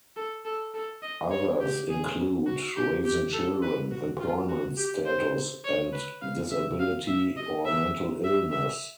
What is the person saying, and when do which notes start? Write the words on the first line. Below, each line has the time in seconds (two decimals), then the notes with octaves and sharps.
Others include raising children, employment status; and disability or mental illness.
0.16 A4
0.45 A4
0.74 A4
1.02 D#5
1.31 C#5
1.60 G4
1.89 G#4
2.46 F#4
2.76 G4
3.05 G4
3.33 A4
3.62 B4
3.91 F#4
4.20 F4
4.49 F#4
4.77 G4
5.06 C5
5.64 C#5
5.92 B4
6.22 F5
6.51 E5
6.80 F5
7.07 E5
7.37 D#5
7.65 E5
8.24 E5
8.52 E5